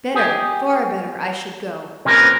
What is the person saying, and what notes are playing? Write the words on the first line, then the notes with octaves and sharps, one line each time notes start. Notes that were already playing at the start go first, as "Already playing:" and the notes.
Better--far better--I should go.
G4 G#4
C3 F3 A#3 C#4 A#4 B4